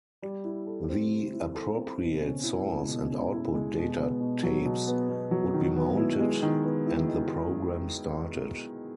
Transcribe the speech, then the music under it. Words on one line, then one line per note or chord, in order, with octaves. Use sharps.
The appropriate source and output data tapes would be mounted and the program started.
G3
E4
A4
C4
G3
E4
A4
C4
B2
C#4
E4
G#3
B2
C#4
E4
G#3
B2
B3
B2
F#3
B2
B3
B2
F#3
D#3
B3
E4
G#3
D#3
B3
E4
G#3